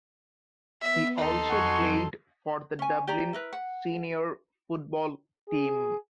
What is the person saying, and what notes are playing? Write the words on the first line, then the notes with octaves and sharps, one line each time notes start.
He also played for the Dublin Senior football team.
B3 E5
D#2 D#4 A4 C6 A6 C7
F2 F#3 F#5 G#5 C#6
C#4 G#5
G4 D5 A#5
E4 A#4 B4
F#5
G#4